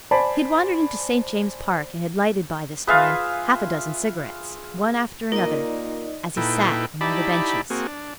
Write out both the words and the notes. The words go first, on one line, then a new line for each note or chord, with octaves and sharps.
He had wandered into St. James's Park, and had lighted by this time half-a-dozen cigarettes one after another, as he sat on one of the benches.
C5 D5 G#5 A5 B5
F4 G#4 B4 E5 F5
A#2 D#4 A#4 D5 D#5
A#2 D#4 E4 A4 B4 G5
D#4 E4 G4 D5 A5 B5
A#3 C4 F#4 G#4
D4